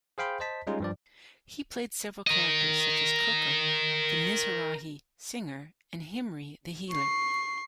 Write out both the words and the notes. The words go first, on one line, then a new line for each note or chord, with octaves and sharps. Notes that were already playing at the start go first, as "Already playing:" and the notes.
He played several characters such as Coco the Mizrahi singer, and Himri the healer.
G#4 C5 F5 G5 B5 C6
C5 D#5 A5 B6
G3 G#3 C#4 D#4 F4 G#4
G2 F3 D5
A#4 D#5
C#6 C7